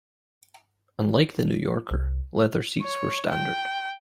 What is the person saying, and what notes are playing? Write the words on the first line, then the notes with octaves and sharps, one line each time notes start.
Unlike the New Yorker, leather seats were standard.
C2
C#5
G5